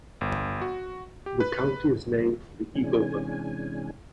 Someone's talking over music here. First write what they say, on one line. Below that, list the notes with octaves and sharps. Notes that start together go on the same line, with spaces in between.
The county is named for the Eagle River.
G1
F#4
G4
B4
C3 E3 G#3 C#4 D4 G#5